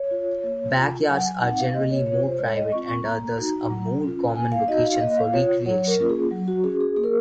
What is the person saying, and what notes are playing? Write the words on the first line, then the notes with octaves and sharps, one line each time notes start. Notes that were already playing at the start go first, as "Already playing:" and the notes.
Backyards are generally more private and are thus a more common location for recreation.
Already playing: C#5
F4
A#3
F4
F#3 F#5
G#5
C4 D#4 F#5
F5
A#3 D#5
C#5
F4 C#5
C5
G#3 C#5
D#5
C4 F4 C#6
C#6
A#3 A#5
D#4 F#4
F#3
C#4 F4
A#3 G#5
F5
D#4 F#4 D#5
F5
A#3 D#5
F5
F4 C#5
F#3 C#5
A#4
A#3 C#4 F4
G#4
F#3
F#4
C#4 F#4 G#4
G#4
A#3 G#4
A#4